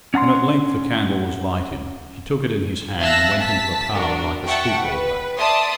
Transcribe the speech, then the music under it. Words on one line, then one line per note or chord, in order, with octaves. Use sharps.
When at length the candle was lighted, he took it in his hand and went into the parlour like a sleepwalker.
C#4 F#5 A5 C6
E5 F5 A5 E6 F#6 A#6
A5 B6
D4 F#4 A#4
E5 F#5 G5 A5 C#6
B4
D5 E5 A5 C6 D#6